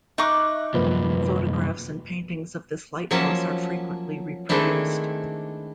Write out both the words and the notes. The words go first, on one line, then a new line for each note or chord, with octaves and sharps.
Photographs and paintings of this lighthouse are frequently reproduced.
D#4 E5 C#6 D6 F#6
C2 F#2 F3 A#3 B4
F3 F#3 A#3 C#4 E5 A5
D#3 G#3 A3 C4 D4 E4